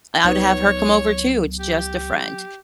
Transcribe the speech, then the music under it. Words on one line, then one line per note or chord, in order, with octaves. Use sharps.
I'd have her come over, too, it's just a friend."
C#2 F#3 B3 D#4 B4 C#5
G4